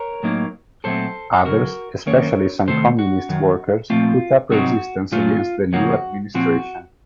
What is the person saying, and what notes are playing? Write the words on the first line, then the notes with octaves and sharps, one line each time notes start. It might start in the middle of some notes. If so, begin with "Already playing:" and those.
Others, especially some communist workers, put up resistance against the new administration.
Already playing: A#4 C#5
A2 F#3 A#3 D#4
A#2 F#3 A3 C4 A4 C5
F#2 C#3 F#3 F#4 A#4
F#2 D#3 A#3 C#4 A#4 C#5
C3 D#3 A3 A4 C5
F#4
F#2 D#3 F#3
A#2 F3 A3 C4 F4
C3 F#3 C4 D#4 F#4
A#2 F#3 A3 F4
F2 C#3 F3 A#3 C#4 F#4
A#2 F3 C4 F#4